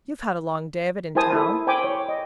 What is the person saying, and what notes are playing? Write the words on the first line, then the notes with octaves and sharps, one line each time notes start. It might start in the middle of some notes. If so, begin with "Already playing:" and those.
You've had a long day of it in town.
E4 A#4 C5 G#5 A5 D#6
E4 A4
C5 G5 G#5 B5 D6
C#5
D#5